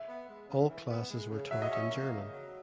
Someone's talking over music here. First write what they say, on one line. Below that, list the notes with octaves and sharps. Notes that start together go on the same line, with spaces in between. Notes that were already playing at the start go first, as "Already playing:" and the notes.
All classes were taught in German.
Already playing: E5
B3
G#3
C#3
E3
B3
G#3
C#3
F#3 E5
D#5
C#4 E5
A#3
C#3
F#3